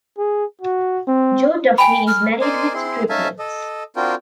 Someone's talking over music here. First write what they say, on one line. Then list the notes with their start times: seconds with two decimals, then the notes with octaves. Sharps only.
Joe Duffy is married with triplets.
0.18 G#4
0.61 F#4
1.07 C4
1.78 G5 G#5 B5
2.07 F6
2.41 A#4 C5 D5 D#5 G#5 C6
2.74 C4 E4 G#4 C6
3.09 C#4 D#4 E5 F5 G#5 A5
3.39 A4 D#5
3.96 C4 D4 F4 F#4 A#4 G5